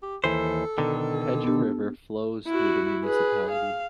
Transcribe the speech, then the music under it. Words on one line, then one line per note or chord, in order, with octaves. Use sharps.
Pedja River flows through the municipality.
G4
D#2 E3 A4 C5
B2 D3 D#3
B3 D4 G4
E4 F#4
G#4 B4
F5